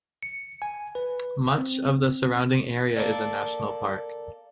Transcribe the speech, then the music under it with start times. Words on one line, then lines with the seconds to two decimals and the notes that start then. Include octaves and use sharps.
Much of the surrounding area is a National Park.
0.23 C#7
0.62 G#5
0.95 B4
1.58 C4
2.96 A#3 A4 D5